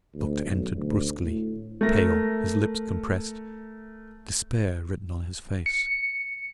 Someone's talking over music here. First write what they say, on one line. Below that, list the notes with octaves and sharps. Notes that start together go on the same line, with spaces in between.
The doctor entered brusquely, pale, his lips compressed, despair written on his face.
D2
B1
D2
A2
A3 A#4 A#6
C#7